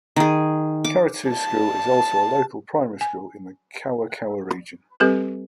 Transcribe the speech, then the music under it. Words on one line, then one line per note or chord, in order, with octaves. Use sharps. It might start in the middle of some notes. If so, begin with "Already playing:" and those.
Karetu School is also a local primary school in the Kawakawa region.
D#3 G#4
D6
A5
G#5
G3 C4 G4 A4 B4